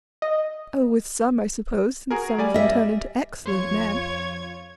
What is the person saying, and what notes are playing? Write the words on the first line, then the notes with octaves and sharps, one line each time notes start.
"Oh, with some, I suppose; since some of them turn into excellent men."
D#5
F#4 G#4 A#4
G3 D5 G#5
D#5 E5
F2 F4 C#5 G#6